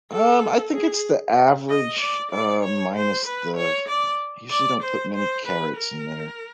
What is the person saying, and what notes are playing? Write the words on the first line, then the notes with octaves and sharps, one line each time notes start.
Um, I think it's the average, uh, minus the I usually don't put many carrots in there.
A4
G#4
D#5
D5
D5
C#5
C5
B4
C#5
D5
D5
C5
C5
B4
A#4